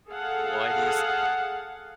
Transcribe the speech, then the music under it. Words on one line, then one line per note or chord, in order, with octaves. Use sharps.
Why do you s
G#4 A4 F5 F#5